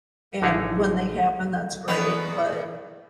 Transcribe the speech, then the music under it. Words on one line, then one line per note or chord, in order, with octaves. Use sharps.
and when they happen, that's great, but
A1 D3 D#4 E4 G#4 C#5
E2 B3 B4